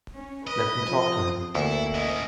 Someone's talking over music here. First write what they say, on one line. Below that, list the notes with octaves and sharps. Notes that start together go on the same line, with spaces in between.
Let me talk to him.
C#4
B4 D#5
F3 C4
D2 A#3 E4
C#4 E4 D#5